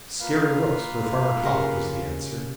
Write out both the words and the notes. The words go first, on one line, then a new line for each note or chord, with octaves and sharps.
'Scaring rooks for Farmer Topp,' was the answer.
A#3 F4 B4 F5
C#3 G4 A#4